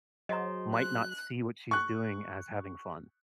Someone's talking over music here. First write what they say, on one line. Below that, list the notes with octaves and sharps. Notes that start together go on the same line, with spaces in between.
might not see what she's doing as having fun.
F#3 G#4 C5 D#5 A#5 C6
F#6
C#6 F#6